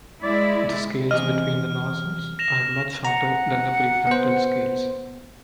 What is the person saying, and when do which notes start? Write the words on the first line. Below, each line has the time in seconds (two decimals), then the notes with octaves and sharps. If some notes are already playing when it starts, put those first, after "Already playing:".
The scales between the nostrils are much shorter than the prefrontal scales.
0.23 G#3 E4 D5
1.11 E2 C3 D#5 F6
2.39 A#6 E7 F7
3.05 F#5 A#5
4.07 B3 C5